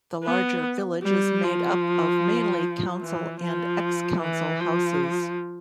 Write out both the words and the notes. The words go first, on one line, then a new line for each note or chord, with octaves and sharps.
The larger village is made up of mainly council and ex-council houses.
B3
G3
F3
E3
F3
E3
F3